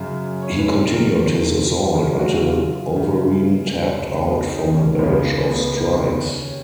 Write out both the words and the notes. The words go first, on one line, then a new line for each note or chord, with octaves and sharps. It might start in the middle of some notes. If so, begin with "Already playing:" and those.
He continued his assault until Overeem tapped out from a barrage of strikes.
Already playing: F#2 C#3
C#5
B4
A#4
G#4
F2 D#3 A#4
F#2 C#3 G#4
F#4
F4
F#2 C#3
C#2 C#3
B3
C#4
D#4
C#4
C#2 C#3 B3
A#3
B3
B3
D#2 C#3 B3
C#4